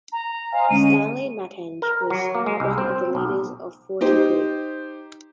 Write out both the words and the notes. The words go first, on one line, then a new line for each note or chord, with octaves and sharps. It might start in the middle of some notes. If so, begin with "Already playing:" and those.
Stanley Mathenge was one of the leaders of Forty Group.
A#5
C5 D#5 F5 G#5
D3 G#3 C#4 D#7
A#4
F#3
A#3
G#3
C2
C4
B1
D#4 G4 C5